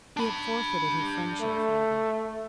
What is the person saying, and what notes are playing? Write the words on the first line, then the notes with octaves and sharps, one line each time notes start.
He had forfeited her friendship for ever.
D4 B5
A3